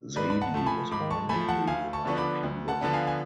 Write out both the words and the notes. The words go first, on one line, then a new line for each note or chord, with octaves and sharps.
Zaidi was born in the United Kingdom.
G#2 B4 D5
B5
F#5 A5
F3 A3 A5
G#5 B5
G#2 B5 D6
A5 C#6
F3 A3 G#5 B5
F#5 A5
D2 F5 G#5
A5 C#6
D3 F3 B3 D4 C#6
B5 D6
D2
F#5 A5
D3 F3 B3 D4 A5
F5 G#5
G#5